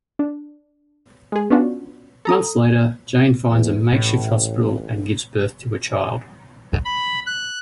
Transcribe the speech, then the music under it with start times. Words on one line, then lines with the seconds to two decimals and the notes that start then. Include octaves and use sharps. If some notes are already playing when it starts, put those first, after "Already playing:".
Months later, Jane finds a makeshift hospital and gives birth to a child.
0.19 D4
1.32 G#3 G#4
1.50 B3 C#4 D4 F4 F#4
2.25 A4 A#5 D#6
3.50 E2
3.92 A1 A2
6.85 B5
7.26 F#6